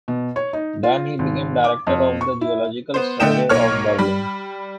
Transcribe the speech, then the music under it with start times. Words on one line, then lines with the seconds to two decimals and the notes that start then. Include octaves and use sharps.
Then he became director of the Geological Survey of Berlin.
0.08 B2
0.36 C#5
0.53 D#4
0.83 F4
1.19 G#1
1.64 D6
1.87 F2
2.21 C#6
2.41 E4
2.94 B3 C5
3.20 D3 A3 D#5 G5 E7
3.49 B1 A#3 C#5 F6
3.99 G3 B5